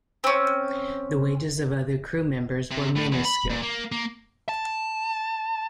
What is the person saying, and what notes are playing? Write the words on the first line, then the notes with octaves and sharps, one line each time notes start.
The wages of other crew members were minuscule.
C4 C#4
C3
A2
E2
B5
A#2
A#3
A#3
A5